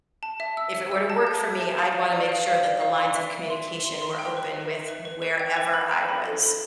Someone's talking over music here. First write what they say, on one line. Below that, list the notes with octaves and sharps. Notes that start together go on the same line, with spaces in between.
if it were to work for me, I'd wanna make sure that the lines of communication were open with wherever I was
A5
E5
E6
E5
E6
A5
G6
E5
A5
F5
F5
D5
F5
F5
D5
F5
C6
E5
E5
C6
E5
C6
C6
G5
B4
B4
E5
B4
B4
B4
G5
B4
B5
G5
B5
A4
A4